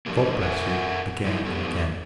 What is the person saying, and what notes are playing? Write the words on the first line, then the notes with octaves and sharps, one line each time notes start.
God bless you, again and again!
E2 D3 F3 G3 A#3
A4 A#4 E5 F#5 G#5
F3 F#3 D#4 E4
E3 B3 G4 A4